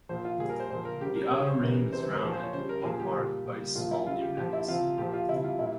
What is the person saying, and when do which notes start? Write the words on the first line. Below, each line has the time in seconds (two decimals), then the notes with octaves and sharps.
The outer rim is rounded and pock-marked by small impacts.
0.09 A#2 F3 C5
0.25 F4
0.39 A#2 G3 G#4
0.50 A#4
0.60 C5
0.70 A#2 F3 C5
0.85 A#4
1.01 C#3 G3 G4
1.16 A#4
1.31 C#3 G3 C#5
1.47 C5
1.61 C#3 E3 G3 A#4
1.92 C3 E3 G3 C5
2.03 C5
2.13 A#4
2.23 A#2 F3 G#4
2.33 C5
2.43 C#5
2.53 C#3 G3 C5
2.69 A#4
2.84 A#2 F3 G#4
3.00 G4
3.15 A#2 G3
3.45 A#2 G3
3.75 A#2 F3 F4
3.91 E4
4.06 C#3 G3 F4
4.22 G4
4.37 A#2 F3 G4
4.53 E4
4.68 C3 F3 F4
4.98 A#2 F3 G4
5.13 F4
5.28 C3 G3 E4
5.44 F4
5.59 A#2 G3 E4